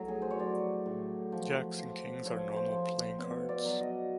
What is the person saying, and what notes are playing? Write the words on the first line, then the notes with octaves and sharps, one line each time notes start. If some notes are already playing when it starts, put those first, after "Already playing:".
Jacks and Kings are normal playing cards.
Already playing: A2 F#3
G#4
C5
C#5
F#3 D5
A2
F3
F3
F3 C#5
C5
F3
C5
B2 C#5
D5
F#3
D#5